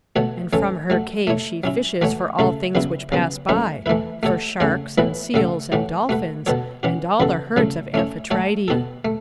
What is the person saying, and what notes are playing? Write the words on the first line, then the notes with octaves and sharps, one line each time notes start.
And from her cave she fishes for all things which pass by, for sharks, and seals, and dolphins, and all the herds of Amphitrite.
B2 A3 F#4 C#5
A2 E3 C#4 A4 C#5
F#3 A3 F#4
A3 E4 C#5
F#3 C#4 E4
E3 A3 F#4 C#5
C#3 A3 E4 A4
C#3 F#3 B3 E4
C#3 F#3 B3
F#3 A3 C#4 E4 B4
E3 A3 E4 B4
A3 F#4 A4 C#5
C#3 A3 F#4 C#5
A2 E3 B3 E4 B4
C#3 A3 F#4 A4
A2 E3 A3 F#4
A3 F#4 B4
B2 B3 F#4 A4 C#5
E3 C#4 F#4
C#3 E3 B3 F#4 A4
C#3 F#3 A3 E4
A3 C#4 E4 C#5
A3 F#4 A4 C#5
B2 B3 F#4 A4
A3